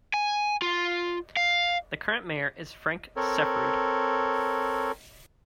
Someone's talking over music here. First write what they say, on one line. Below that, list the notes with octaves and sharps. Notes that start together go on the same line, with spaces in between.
The current mayor is Frank Seffrood.
G#5
F4
F5
C4 A4 A#4 C#5